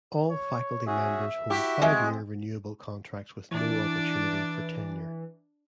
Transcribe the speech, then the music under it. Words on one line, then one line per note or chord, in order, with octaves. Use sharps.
All faculty members hold five-year renewable contracts with no opportunity for tenure.
C#5
C#4 F#4 G#4 E5
E4 F#4 G4
G#3 C4 C#4 G4 E5
E3 D4 D5